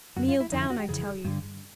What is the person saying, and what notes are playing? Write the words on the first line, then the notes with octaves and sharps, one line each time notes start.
Kneel down, I tell you.
F#2 D3 F#4
F4
E4
F2 D3 D#4
E4
F#4
G4
F2 C#3 E3 G#4
G2 D3